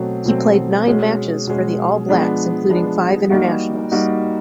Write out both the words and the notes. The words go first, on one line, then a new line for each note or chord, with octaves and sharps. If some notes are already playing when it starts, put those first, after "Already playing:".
He played nine matches for the All Blacks including five internationals.
Already playing: B2 F#3 A3 C4
B2 F#3 A3 C4
B2 G#3 C#4
B2 G#3 C#4
F3 G#3 B3 D4
F3 G#3 B3 D4
G3 A#3 D#4 F#4
G3 A#3 D#4 F#4